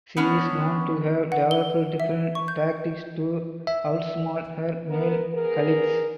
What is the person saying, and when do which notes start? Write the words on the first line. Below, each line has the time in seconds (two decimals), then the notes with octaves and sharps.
She is known to have developed different tactics to outsmart her male colleagues.
0.17 B3 C#4 D4
1.32 F#5
1.51 G7
2.00 E5
2.35 C#6
2.48 G6
3.67 E5
4.88 B3 A#4
5.33 B3 G#4 A#4